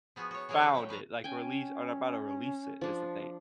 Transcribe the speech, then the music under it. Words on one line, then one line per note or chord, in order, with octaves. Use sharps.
found it, like, release or about to release it, is the thing.
F3 B3 F#4 G#4
F#4 C#5
E3 F#3 G#4 A#4 C#5 A5
D3 G3 C#4 E4 G4
F#3 G5
F3 B4 F5 A#5
C#4 G5 G#5
F3 D4